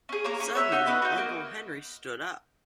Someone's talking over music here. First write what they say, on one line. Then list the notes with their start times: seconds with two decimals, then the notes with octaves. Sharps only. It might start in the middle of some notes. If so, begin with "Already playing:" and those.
Suddenly Uncle Henry stood up.
0.09 C#4 G#4
0.24 A#3 A#4 C#5
0.40 C#4 G#4
0.55 B3 C#5 E5
0.72 D#4 F#4
0.86 B3 B4 D#5
1.02 D#4 F#4
1.17 A#3